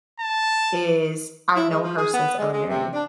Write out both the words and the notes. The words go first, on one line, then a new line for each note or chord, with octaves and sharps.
is I've known her since elementary,
A5
E4
G#3
F3
G#4
B3
G#3
G#3
C3
D4